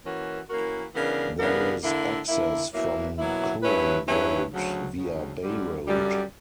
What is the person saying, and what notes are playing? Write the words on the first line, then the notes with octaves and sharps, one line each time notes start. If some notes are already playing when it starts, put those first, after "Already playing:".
There is access from Curran Road via Bay Road.
E3 A#3 C#4 F#4 A#4
E3 A#3 C#4 F#4 A#4
C#3 E3 B3 D4 A#4
C#3 E3 B3 D4 A#4
D3 A#3 E4
D3 A#3 E4
B2 F#3 A#3 E4
B2 F#3 A#3 E4
G2 F#3 C#4 E4 B4
G2 F#3 C#4 E4 B4
D2 C#3 F#3
D2 C#3 F#3
F#2 D3 G3
F#2 D3 G3